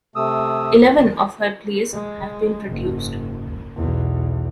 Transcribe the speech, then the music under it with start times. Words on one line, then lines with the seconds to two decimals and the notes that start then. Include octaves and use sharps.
Eleven of her plays have been produced.
0.16 C3 A3 D#6 E6
1.93 G#3
2.68 F#1 G#2
3.76 B1 E2